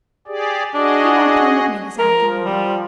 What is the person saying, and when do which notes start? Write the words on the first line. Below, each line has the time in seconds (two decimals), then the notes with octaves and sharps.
He walked home with me this afternoon.
0.27 G4 G#4 D5
0.74 D4 F#4 G#4 D#5
1.99 F3 A#4
2.45 G3